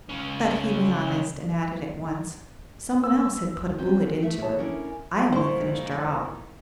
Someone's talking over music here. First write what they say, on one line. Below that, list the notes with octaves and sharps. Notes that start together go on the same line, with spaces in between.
But he was honest, and added at once, "Some one else had put a bullet into her; I only finished her off."
C#2 C#4
E6
C4 C#4 F4 F#4 C5
A3 E4 E5
G#4 C#5 A5
C#4 D4 E4 A#4
F2 A#2 D#3 F3 G#3 E4 C5 C#6